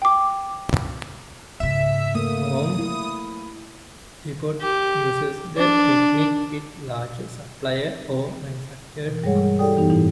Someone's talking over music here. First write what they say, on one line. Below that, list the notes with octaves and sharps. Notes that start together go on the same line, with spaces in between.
Home Depot uses the technique with larger suppliers of manufactured goods.
G5 D6
G#2 C#3 E5
A3 A#3 D#6
E4
G4
D4
B2 E3 A#4
G2 G3 G#3 G#4 C#5 F#5
E4 G4 A4 D5 G5 D#6
F#2 E3 B3 D#4 G4
G#2 B2 E3 D#4 E4